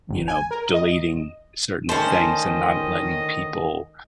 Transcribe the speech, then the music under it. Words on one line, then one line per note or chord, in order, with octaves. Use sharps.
you know, deleting certain things and not letting people,
G1
G#5
A#4
D#5
D2 D#3 C#4 C5 D#5 A5